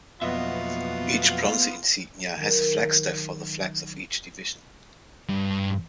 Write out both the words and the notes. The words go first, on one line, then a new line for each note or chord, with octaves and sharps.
Each bronze insignia has a flagstaff for the flags of each division.
F2 B2 F#3 A#3 B3 F4 D#5 E5
D#3 F#3
G2